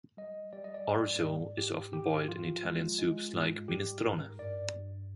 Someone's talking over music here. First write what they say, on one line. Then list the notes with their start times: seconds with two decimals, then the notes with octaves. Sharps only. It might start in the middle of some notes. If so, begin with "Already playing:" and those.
Orzo is often boiled in Italian soups, like minestrone.
0.17 G3 D#5
0.53 G3 D5
0.64 D#5
0.74 D5
0.88 G#2
1.23 G#2
1.58 G#2 G4
1.93 G#2 G4
2.28 F3 F4
2.64 G#3
2.98 G#3
3.33 G#2
3.68 G3 G4
4.03 G#2 A#4
4.39 G2 D5
4.74 G2